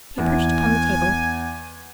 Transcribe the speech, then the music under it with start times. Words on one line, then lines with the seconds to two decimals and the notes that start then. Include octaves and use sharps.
He perched upon the table.
0.18 E2 G#5